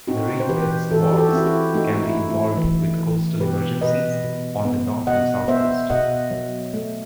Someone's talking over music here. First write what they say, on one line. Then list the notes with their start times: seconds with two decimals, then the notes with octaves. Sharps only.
Marine-based squads can be involved with coastal emergencies on the north and south coast.
0.08 C4 D#4 F#4
0.40 C5
0.49 E3 G4 B4
0.91 E3 F#4 A4
1.13 G4
1.18 F#4 A4
1.29 E4
1.33 C4 F#4
1.46 E4 G4
1.74 A3 D#4 F#4
2.02 E4
2.16 A3
2.30 E4
2.57 E3
2.99 E3
3.40 B2 G4 B4
3.81 B2 B4 D#5
4.24 B2
4.65 B3
5.07 B2 D#5 F#5
5.48 B3 C5 E5
5.90 B2 D#5 F#5
6.31 F#3
6.73 A3